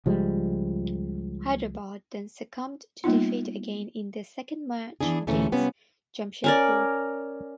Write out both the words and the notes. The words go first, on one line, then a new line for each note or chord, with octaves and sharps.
Hyderabad then succumbed to defeat again in their second match against Jamshedpur.
C#2 F3 G3 G#3
G3 A#3 B3 D#4 F4
E3 B3 D4 G#4
D2 A#2 E3 A3 C#4 A4
C3 G3 B3 C#4 F4
C#4 A#4 D5